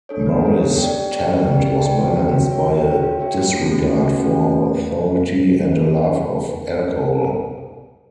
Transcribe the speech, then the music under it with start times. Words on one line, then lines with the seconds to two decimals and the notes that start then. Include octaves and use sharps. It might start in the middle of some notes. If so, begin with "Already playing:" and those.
Morris' talent was balanced by a disregard for authority and a love of alcohol.
0.09 D4 A4 C#5
0.26 B3
0.44 D4 A4 C#5
0.60 G4
0.78 D5 G5
0.95 G4
1.13 D5 G5
1.30 G4
1.47 D5 G5
1.65 G4
1.81 D5 G5
1.99 F#4
2.16 C#5 E5 G5
2.33 F#4
2.51 C#5 E5 G5
2.69 F#4
2.85 C#5 E5 G5
3.03 F#4
3.19 C#5 E5 G5
3.38 A3
3.54 C#4 F#4
3.72 A3
3.89 C#4 F#4
4.06 A3
4.23 C#4 F#4
4.41 A3